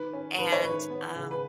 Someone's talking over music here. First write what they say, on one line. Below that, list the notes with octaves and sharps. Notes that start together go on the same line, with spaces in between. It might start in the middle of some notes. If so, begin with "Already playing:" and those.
and, um,
Already playing: D#3 B4
C#4
D#3 B4
C#5
D#3 B4
B3
C#3
B4